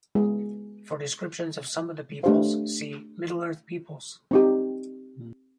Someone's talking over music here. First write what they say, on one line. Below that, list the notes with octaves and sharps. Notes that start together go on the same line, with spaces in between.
For descriptions of some of the peoples, see: Middle-earth peoples.
G#3 B3 E4 G#4
A3 D4 G4 C5 F5
C4 D#4 G4